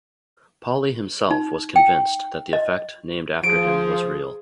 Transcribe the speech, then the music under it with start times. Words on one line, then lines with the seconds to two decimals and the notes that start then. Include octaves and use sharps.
Pauli himself was convinced that the effect named after him was real.
1.31 D#4
1.76 G5
2.53 D#5
3.43 F3 G#4 D7